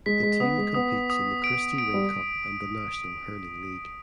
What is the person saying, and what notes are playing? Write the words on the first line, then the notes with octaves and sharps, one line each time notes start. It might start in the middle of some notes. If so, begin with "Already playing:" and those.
The team competes in the Christy Ring Cup and the National Hurling League.
G#3 B6
G#3
B3 D#6
G#3
B3 D#6
D#6
D7
D7
G3